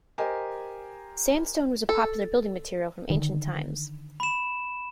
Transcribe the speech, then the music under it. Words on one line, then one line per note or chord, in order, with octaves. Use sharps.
Sandstone was a popular building material from ancient times.
G4 A#4 C5 D#5 G#5
A4
D3 D#3
B5 E7